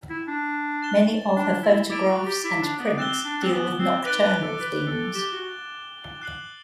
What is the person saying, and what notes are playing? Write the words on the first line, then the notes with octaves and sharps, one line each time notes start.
Many of her photographs and prints deal with nocturnal themes.
E4
D4
A6 E7 G7
D4
E4
E4 D6 A6 D7
F#4
G4
E4
D4
B3
C4 F#6 A6 E7 G7
D4
C4
B3
C4
B4 D6 F#6 A6 D7 G7
B4
A4
B4
A4
G4 A6 E7 G7
F#4
F#6 C7 F#7